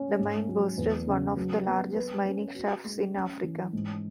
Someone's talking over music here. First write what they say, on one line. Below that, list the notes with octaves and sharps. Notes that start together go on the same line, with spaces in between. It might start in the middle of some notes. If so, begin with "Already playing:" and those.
The mine boasts one of the largest mining shafts in Africa.
Already playing: C#4
G#2
F#3
E2
C#3
F#3
B3
B4
C#4
F#4
G#3
C#4
E3
G#2